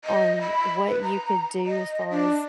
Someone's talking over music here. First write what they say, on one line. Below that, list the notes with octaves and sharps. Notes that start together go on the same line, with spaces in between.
on w what you could do as far as
D#5
B5
B4
A#5
D#5
D4